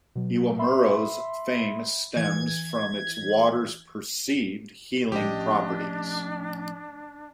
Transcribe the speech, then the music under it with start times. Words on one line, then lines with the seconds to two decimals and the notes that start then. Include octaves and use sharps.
Iwamuro's fame stems from its waters 'perceived' healing properties.
0.15 B2 F#3
0.59 E5 B5 C6
2.16 E3 G#6
5.12 A2 F3 C#4 D4 G4 D#5